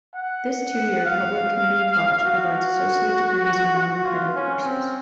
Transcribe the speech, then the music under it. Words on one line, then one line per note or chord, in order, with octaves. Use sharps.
This two-year public community college provides associate degrees and non-credit courses.
F#5
F5
F#4
F#4
F#4
F4
C#4
C4